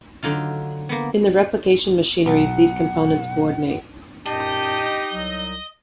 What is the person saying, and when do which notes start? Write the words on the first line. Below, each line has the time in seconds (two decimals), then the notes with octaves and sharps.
In the replication machineries these components coordinate.
0.23 D3 F#3 D#4 F4
0.89 A#3 B3
2.26 B1 F#5
4.26 F#2 A#2 D#4 G4 D#5 A5
5.12 C2 F#3